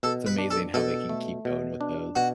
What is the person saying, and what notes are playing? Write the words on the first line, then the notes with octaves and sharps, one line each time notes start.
it's amazing how they can keep going with those.
B2 A4
B4
D4
A4
B2 A4
A3
B2
D4
B2 F#4